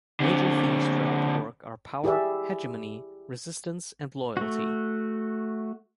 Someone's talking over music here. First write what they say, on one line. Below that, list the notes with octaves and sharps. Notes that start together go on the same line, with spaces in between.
Major themes throughout the work are power, hegemony, resistance and loyalty.
D3 C4
E4 G4 G#4 D5 E5
A3 F#4